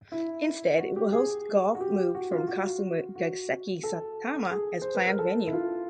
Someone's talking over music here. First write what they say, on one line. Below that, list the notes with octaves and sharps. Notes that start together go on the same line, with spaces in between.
Instead it will host Golf moved from Kasumigaseki, Saitama as planned venue.
E4
F#4
G4
G#4
F#4
G4
F#4
F4
F#4
F#4
A4
G#4
C5
B4
A#4
A4
E4
F4